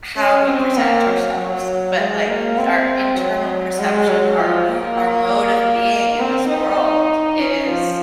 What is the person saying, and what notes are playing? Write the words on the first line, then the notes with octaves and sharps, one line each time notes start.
how we present ourselves, but, like, our internal perception, our our mode of being in this world is
C#4
C4
A#3
F#3
F#3
G#3
A#3
C4
F#3
G#3
F#3
F3
A#3
C4
D#4
C#4
F3